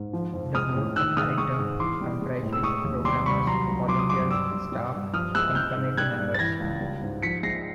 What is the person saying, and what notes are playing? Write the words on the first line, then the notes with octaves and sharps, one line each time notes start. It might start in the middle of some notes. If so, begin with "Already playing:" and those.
The Board of Directors comprises programmers, volunteers, staff, and community members.
Already playing: G#2
F3
F2
G#3 D#6 F6
A2
D#3 E6 F#6
G#3 D#6 F6
G#3 C#6 D#6
G#2
E3 C6 D6
G3
G#3
A2
E6
G#3 C#6 D#6
D#2
G3 C6 D6
C2 B5 C#6
F#3 A#5 C6
C#2
F#3 C6 D6
D#6
G2 C6 D6
G3 D6 E6
G2
G3
G2
F3 D#6 F6
G#3 E6 F#6
G#3 F6 G6
G#2
G3 F#6 G#6
G2
A6
E3 G#6 A#6
C#2
G3
G#2
F3 B6 C#7
G#3 A#6 C7